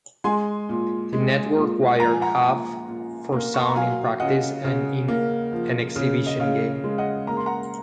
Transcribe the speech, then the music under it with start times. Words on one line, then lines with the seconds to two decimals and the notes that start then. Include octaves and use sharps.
The network wired Huff for sound in practice and in an exhibition game.
0.24 G#3 G#5 C6
0.69 A#2
1.13 G#3
1.57 A#2
2.00 F3 A#5
2.11 G#5
2.22 F#5 A#5
2.45 A#2
2.88 A#2
3.32 A#3
3.54 C#6
3.61 C6
3.68 A#5
3.76 F#3 F5 G#5
4.20 C#3 D#5 F#5
4.65 C#3
5.08 A#3
5.53 F3
5.96 C#3
6.26 D#5
6.40 C#3 F5
6.84 G#3
6.98 D#5 F#5
7.27 A#3 A#5
7.37 C6
7.46 F#5 A#5